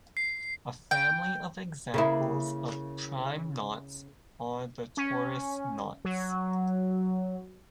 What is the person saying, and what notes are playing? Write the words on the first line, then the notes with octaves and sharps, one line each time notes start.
A family of examples of prime knots are the torus knots.
C7
G5
C#3 A#3 E4
C#4
F#3